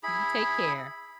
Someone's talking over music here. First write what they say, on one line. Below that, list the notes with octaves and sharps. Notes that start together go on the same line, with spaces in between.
So you take care.
E4 G#4 B5